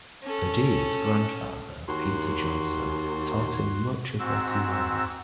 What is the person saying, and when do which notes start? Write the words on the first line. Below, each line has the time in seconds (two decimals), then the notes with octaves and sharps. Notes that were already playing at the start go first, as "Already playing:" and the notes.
Padilla's grandfather, Peter Johnsen, taught him much of what he knows.
0.24 C#4 A4
1.88 D#2 F#4 C6
4.19 G#2 C4 F#4 E6